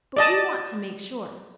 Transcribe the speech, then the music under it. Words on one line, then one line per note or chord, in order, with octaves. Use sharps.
But we want to make sure.
D5 D#5 A5